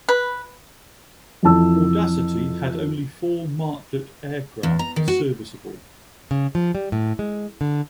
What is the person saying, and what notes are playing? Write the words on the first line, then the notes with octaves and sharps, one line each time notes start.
"Audacity" had only four Martlet aircraft serviceable.
B4
F2 E3 A5 E6
E2
A#5
D#3
F#4
C#3
F3
G3
A2
G#3
D3